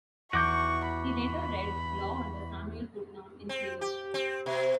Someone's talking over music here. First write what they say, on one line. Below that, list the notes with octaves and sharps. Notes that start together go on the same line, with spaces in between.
He later read law under Samuel Putnam in Salem.
E2 F#4 C#6 D6 G6
B5
C4
G4
C4
B2